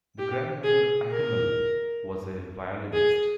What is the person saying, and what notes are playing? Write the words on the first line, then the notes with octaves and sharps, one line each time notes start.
Her grandmother Akkammal was a violinist.
G4
G#4
A#4
G#4